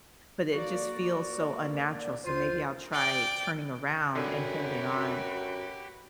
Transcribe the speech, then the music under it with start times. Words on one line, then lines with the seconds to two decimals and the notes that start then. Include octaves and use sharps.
but it just feels so unnatural, so maybe I'll try turning around and holding on,
0.53 A#3 F#4 D5
2.25 D2 F4 C5 C7 D#7
2.93 D5 G5
4.16 F#2 D3 F#4 G4 B4 G#5